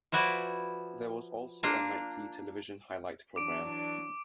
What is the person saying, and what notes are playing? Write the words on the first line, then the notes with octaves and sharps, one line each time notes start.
There was also a nightly television highlight programme.
F3 E4 F#4 B4 D5
A#3 D4 F4 A#5
E3 F#3 D4 D6 D7